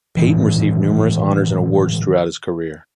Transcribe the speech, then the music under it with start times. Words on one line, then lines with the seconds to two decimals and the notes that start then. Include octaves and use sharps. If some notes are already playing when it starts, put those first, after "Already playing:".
Payton received numerous honors and awards throughout his career.
0.17 A2 D#3 E3